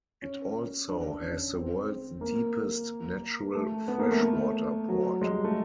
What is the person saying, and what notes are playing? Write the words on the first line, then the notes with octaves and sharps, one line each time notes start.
It also has the world's deepest natural freshwater port.
C#4
D4
C#4
C4
A#3
A3
B3
A#3
A3
A3
F#3
G#3
G3
A3